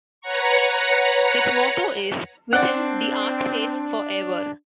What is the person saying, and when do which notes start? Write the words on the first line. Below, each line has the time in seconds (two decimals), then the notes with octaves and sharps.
Its motto is "Within The Ark Safe For Ever".
0.21 B4 C#5 F#5 A#5 C#6
2.53 C4 D4 D5 F#5